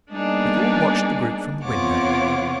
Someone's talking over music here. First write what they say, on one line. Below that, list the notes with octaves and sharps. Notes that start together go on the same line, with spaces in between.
We all watched the group from the window.
G3 A#3 B3 D4 D#4 G#4
E2 C3 F4 C#5 F#5 D6